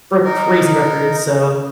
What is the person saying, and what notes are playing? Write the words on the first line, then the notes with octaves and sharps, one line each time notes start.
broke crazy records, so
D#4 A#4